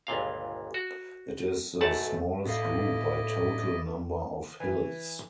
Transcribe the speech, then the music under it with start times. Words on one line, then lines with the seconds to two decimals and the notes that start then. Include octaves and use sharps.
It is the smallest group by total number of hills.
0.07 G1 C#2 A#2 F5
0.74 F#4
1.81 B1 F#2 A3 F#5 A5
2.45 A2 B3 E4 A4 D5 D#5 F5
4.60 E3